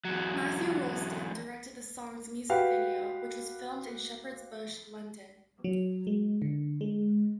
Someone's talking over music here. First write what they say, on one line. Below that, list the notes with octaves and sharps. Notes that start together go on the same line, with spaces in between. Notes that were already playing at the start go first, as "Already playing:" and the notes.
Matthew Rolston directed the song's music video, which was filmed in Shepherd's Bush, London.
E2 F#3
F#4 G4 B4 F5 F#5
F#3
G#3
D3
G#3